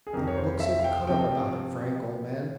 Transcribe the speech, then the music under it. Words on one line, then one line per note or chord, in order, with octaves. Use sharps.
Don't look so cut up about it, Frank, old man.
G#4
F2 C3 F3 A#4
C#5
C5
E5
F5
G5
C3 F3 G5